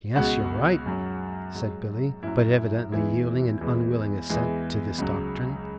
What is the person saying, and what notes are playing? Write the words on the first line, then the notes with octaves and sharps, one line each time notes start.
"Yes, you're right," said Billy, but evidently yielding an unwilling assent to this doctrine.
C#2 B2 G#3 F#4
F#2 F#3
G#2 F#3
F#2 F#3 E4
E4
E2 E3 G#3 E4
E2 E3 G#3
E2 E3 G#3
C#2 C#3 F#3